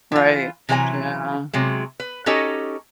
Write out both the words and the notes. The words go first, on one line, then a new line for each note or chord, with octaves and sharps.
Right. Yeah.
E3 F4
C3 E3 F#3 G#4 G#5 A#5
C3 F#3 G#3
B4
C#4 D#4 F#4 G4 A4 D#5